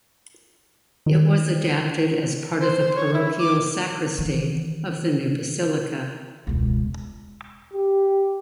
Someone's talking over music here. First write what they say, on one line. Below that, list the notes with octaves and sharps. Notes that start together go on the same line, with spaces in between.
It was adapted as part of the parochial sacristy of the new basilica.
D#3
C5
C#5
E4
D6
D#3 E3
E1 C#2
G4